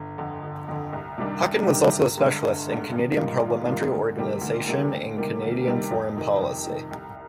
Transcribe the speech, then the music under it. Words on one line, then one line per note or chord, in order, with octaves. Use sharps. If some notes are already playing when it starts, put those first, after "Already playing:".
Hockin was also a specialist in Canadian parliamentary organization and Canadian foreign policy.
Already playing: G1
F2 D3
G1
F2 D3
C2
C3 D#3 G3 D4
C2
C3 D#3 G3 D4
G1
G2 D3 G#3
G1
G2 D3 G#3
G#1
G#2 G3 A#3 F4
G#1
G#2 G3 A#3 F4
D2
C3 D#3 G3 A#3
D2
C3 D#3 G3 A#3
D2
C3 D#3 G3 A#3
D2
C3 D#3 G3 A#3
F2
C3 D#3
F2
C3 D#3
C2